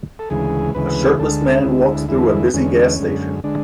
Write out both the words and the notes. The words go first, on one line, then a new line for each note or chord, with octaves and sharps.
A shirtless man walks through a busy gas station.
A4
D2 C#3 E3 G#3 G#4
D2 C#3 E3 G#3 B4
D2 D3 G#3 A4
D2 D3 G#3 E4
E2 D3 G#3 E4
E2 D3 G#3 C#4
F#2 D3 G#3
D3 G#3 D4